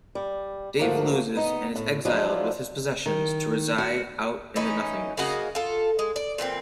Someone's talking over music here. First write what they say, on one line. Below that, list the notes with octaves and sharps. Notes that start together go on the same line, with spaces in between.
Dave loses, and is exiled with his possessions to reside out in the nothingness.
G3
G#2 F3 A3 A#3 F#4 A#5
B3 D#4 D#5
A2
F3 F#3 G#3 D4 E4 F4
D#3
F#4
E3 C#4 D#4
C#3 A#3 F#4 D#5
F4 A4
G#3
D5
A#2 E3 A3 C4